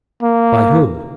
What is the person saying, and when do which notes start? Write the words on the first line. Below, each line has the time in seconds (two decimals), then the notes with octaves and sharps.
"By whom?"
0.23 A#3